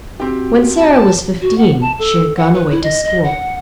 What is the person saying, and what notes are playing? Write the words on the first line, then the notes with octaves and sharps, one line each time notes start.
When Sara was fifteen she had gone away to school.
C4 F#4 G4
A5
F#4
F#5
A5
A4
F#5
B4
E4
D#5
D#5
F#5